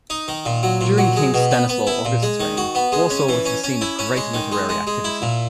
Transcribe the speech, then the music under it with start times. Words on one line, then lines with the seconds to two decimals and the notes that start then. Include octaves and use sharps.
During King Stanislaw August's reign, Warsaw was the scene of great literary activity.
0.10 D#4
0.28 D#3
0.46 A#2
0.63 F#3
0.81 A#2
0.98 F#3
1.16 G#3
1.34 B2
1.51 B3
1.69 B3
1.87 E4
2.05 A#2
2.22 G#3
2.40 D#3
2.57 F#4
2.75 B3
2.92 G#3
3.10 C#4
3.29 E3
3.46 C#4
3.64 C#4
3.81 E4
3.99 C#4
4.17 G#3
4.34 D#3
4.52 G#3
4.69 G#3
4.87 G#3
5.04 E4
5.22 A#2